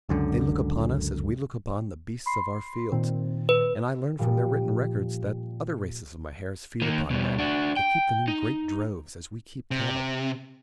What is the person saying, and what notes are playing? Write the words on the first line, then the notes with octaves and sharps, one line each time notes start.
They look upon us as we look upon the beasts of our fields, and I learn from their written records that other races of Mahars feed upon men--they keep them in great droves, as we keep cattle.
C#2 F#2 D3
B5 C6 C7
A#2 D#3 C4
B4
A#2 F3 G3
D#3 A#3
B2 G3
D4 F#4
G5
D#4
C3